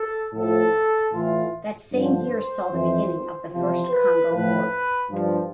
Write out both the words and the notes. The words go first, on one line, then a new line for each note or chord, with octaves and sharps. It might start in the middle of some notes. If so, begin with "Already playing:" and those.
That same year saw the beginning of the First Congo War.
Already playing: A4
A2 F3 A4
A2 E3 F4
G2 D3 F3 C5
F2 E3
E2 C3 F3 C5
B4
A2 F3 B4
G2 F3